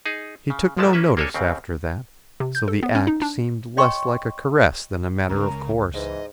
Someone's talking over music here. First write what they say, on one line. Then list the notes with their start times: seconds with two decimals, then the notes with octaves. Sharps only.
He took no notice after that, so the act seemed less like a caress than a matter of course.
0.06 D#4 G#4
0.50 C#3
0.77 A1 G#2 F3 G#3 A3 A5
0.93 A#3 C#4 B4 E5
1.17 A#3 D4 A4 C#5 G#5
1.34 D#2 C#3 C4
2.40 C3
2.55 G6
2.68 A4
2.83 B3
2.95 C#4
3.07 D#4
3.22 D4
3.77 C#5 D#5 G5 C6 C#6
5.29 C#2 C#3 A#4 A#5
5.95 G#2 E3 D#5